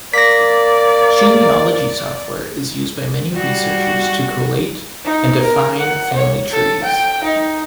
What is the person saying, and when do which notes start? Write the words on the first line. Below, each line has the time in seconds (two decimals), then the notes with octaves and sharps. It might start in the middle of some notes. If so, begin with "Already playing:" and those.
Genealogy software is used by many researchers to collate and define family trees.
0.14 A#3 D5 A#6 B6
3.33 G3 F#4
5.05 D#4
5.43 A#4
5.78 F#5
6.13 C#5
6.51 A4
6.83 G5
7.24 D#4